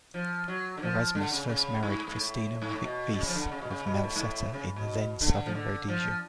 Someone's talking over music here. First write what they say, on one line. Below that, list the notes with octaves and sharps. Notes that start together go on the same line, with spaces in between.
Erasmus first married Christina Wiese of Melsetter in the then Southern Rhodesia.
F3
F#3
D3
F3
D3
C#3
C#3
G#2
G#2
A2
G#2
A2
B2
B2
C#3
F3
D3
C#3
B2
C#3
B2
A2
G#2
A2
C#3
B2
D3
F3
D3
F3